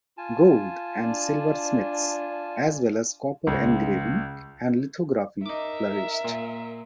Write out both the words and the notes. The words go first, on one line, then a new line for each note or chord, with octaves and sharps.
Gold- and silversmiths as well as copper engraving and lithography flourished.
F4 G#5 A5
D4
C#2
D#4 A#4 E5 D6
A#2